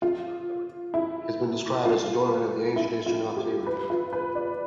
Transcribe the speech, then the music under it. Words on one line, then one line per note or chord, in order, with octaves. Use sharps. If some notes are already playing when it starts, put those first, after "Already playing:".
He has been described as the doyen of the ancient astronaut theory.
F4
E4
F4
E4
F4
G4
B4
F4
B4
D5